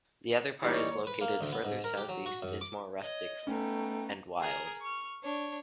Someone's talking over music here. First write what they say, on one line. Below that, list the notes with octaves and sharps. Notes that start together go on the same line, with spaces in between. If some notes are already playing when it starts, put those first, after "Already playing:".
The other part is located further south east is more rustic and wild.
D#2 E3 G3 D#4 C#5
B4
A#3
D2
B3
G#2
A#4
G4
F#3
F#4
F#2
D6
C#5 D#5
A3 B3 C#4 D#4 G5
G#4 A#4
C#6 F6
D4 C#5